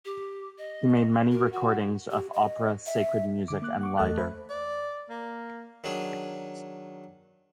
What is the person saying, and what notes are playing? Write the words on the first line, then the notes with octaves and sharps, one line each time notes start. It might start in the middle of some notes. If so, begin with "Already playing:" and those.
He made many recordings of opera, sacred music, and lieder.
G4
D#5
F#4 A#4
F#4 F#5
G4
D#5
E5
D3 D6
A#3 D6 F#6
F#5 C#6 D6
E2 A3 A4 D#5 A5 F#6
A4 C5 E5 B5
D5
A#3
D#3 F#3 D4 G#4